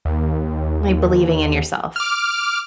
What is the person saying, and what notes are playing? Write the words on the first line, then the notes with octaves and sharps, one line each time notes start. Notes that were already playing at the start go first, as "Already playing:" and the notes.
Like, believing in yourself.
D#2
D6 F6